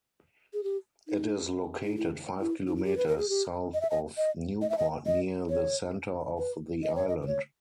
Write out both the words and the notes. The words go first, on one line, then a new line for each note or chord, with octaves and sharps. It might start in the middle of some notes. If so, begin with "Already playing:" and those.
It is located five kilometres south of Newport near the centre of the island.
G#4
G4
D#4
D#4
E4
E4
D#4
E4
G4
B4
A#4
G#4
G4
D#5
E5
D#5
D#5
D#5
E5
D#5
D#5
C#5
B4
D#5
C#5
D#5
B4
C#5